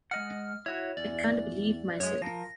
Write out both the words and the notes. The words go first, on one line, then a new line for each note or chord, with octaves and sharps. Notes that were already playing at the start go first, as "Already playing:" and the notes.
I can’t believe myself.
G#3 D#5 F#5 F6
E4 F#4 C#5
E2 D5
F#2 G#3 C#5
F3 A#4 A#6